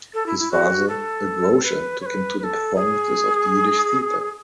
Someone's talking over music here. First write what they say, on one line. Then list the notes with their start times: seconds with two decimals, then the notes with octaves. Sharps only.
His father, a grocer, took him to performances of the Yiddish theater.
0.14 A4
0.26 E4
0.39 E4
0.52 F#4
0.88 A4
1.63 B4
2.01 C#5
2.06 B4
2.39 B4
2.44 A4
2.76 G#4